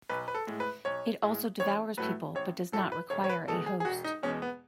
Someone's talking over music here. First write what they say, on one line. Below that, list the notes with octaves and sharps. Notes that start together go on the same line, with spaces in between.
It also devours people, but does not require a host.
B1 B4
B4
A4
A2 G#3
B4
B1 C#5
A2 G#3
A1 C#5
A2 F#3 A3 B4
A1 C#5
A2 F#3 A3 A4
B4
E1 C#5
C#5
B4
E2 B2 G#3 A4
G#4
G#4
E1 F#4
D#4
E2 B2 G#3 C#4
B3